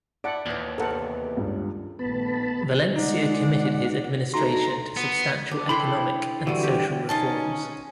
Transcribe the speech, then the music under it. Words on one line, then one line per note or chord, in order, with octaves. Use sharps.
Valencia committed his administration to substantial economic and social reforms.
E4 D5 F#5 A5 D7
D#2 A#2 E3
E2 C3 E3 A4 A#4 F#5
C#2 G2
A#1 D#3 A3 B3 A5 B5
G#3 D#4 D5 F#5
A3 D4 D#4 F#4 A4 A#5 C6
B3
D4
E4 A4 G5 B5 C6
D3 E3 G3 F#4
G4
C#4 D#4 F4 D#5 A5